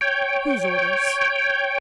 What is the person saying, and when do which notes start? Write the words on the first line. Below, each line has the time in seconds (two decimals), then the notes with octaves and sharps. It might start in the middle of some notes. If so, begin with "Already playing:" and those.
"Whose orders?"
0.01 C#5 G5